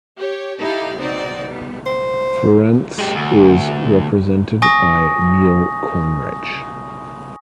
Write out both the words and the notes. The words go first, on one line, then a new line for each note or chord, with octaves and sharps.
Ferentz is represented by Neil Cornrich.
G4 C#5
D#4 E4 G4 A4 F5
B3 C4 D#4 F#4 D5
G3 B3
C5
G#3 G4
D2
G#5 C#6 D#6 A#6